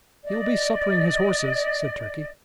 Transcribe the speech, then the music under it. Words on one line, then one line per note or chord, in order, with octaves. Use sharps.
"He'll be suppering his horses," said Turkey.
D5 D#5